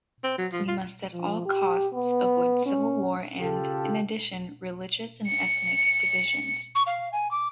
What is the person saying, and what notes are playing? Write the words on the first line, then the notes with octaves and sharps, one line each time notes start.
We must at all costs avoid civil war and, in addition, religious and ethnic divisions.
C4
F#3
F3
F4
F3
G4
B3
C#4
C#3 F4 G4 A4
C#7
C#6
F5
G#5
D6